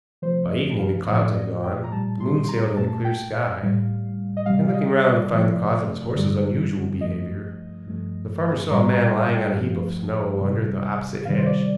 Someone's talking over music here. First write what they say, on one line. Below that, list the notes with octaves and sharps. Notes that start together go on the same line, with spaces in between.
By evening the clouds had gone, the moon sailed in a clear sky, and, looking round to find the cause of his horse's unusual behavior, the farmer saw a man lying on a heap of snow under the opposite hedge.
C3 F3 A3 C5
D#5
F5
A2 F3 A3 F5
D5
D#5
G5
A#5
A#2 G3 A5
C6
C6
A#5
A#2 A3 A5
G5
F5
A2 G3
D#5
C3 G3 F5
F5
D#5
D5
C3 F3 A3
G2 D3 G3
G2 F3 A3 D#5
G2 F3 A3
A2 G3 A#5
A#5
G5
A5
G5
G2 F3 A3 F5
C3 G3
C3 D#3 G3 F5
C5
D5